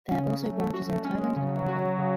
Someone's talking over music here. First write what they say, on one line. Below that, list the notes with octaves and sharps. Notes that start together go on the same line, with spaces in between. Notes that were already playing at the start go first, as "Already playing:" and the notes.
There are also branches in Thailand and Hong Kong.
C#3 C#4
F#3 A3
A3 F#4
G#3 C#4
C#3 F#3
F#4
C#3